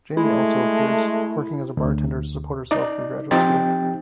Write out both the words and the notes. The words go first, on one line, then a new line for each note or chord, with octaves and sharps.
Jamie also appears, working as a bartender to support herself through graduate school.
G#3 A3 E4
D2
D#4 D5
F3 C4 D#4 G4 G5 A6